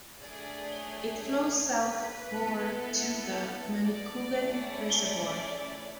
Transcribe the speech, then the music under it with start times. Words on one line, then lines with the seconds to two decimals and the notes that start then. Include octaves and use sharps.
It flows south for to the Manicouagan Reservoir.
0.23 A3 D4 G#4 D5
0.75 C#5
1.78 B4
2.30 B3 E4 A4
3.85 D5
4.37 A3 C#4 E4 G#4
4.89 D5